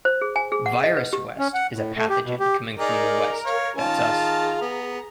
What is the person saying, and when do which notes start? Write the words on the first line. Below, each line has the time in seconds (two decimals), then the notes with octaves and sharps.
'Virus West' is a pathogen coming from the west-that's us.
0.05 C5
0.21 G#4
0.36 G#5
0.52 G#4
0.66 F#5
0.84 D#5
0.97 B4
1.13 G4
1.38 C#4
1.54 F#5
1.73 A2
1.96 A3
2.10 G4
2.24 B2
2.40 G4
2.79 D#4 G#4 A#4 D5
3.45 C#5 F5
3.77 D#3 C#4 F4 A5
4.11 G#4 A#5
4.61 B3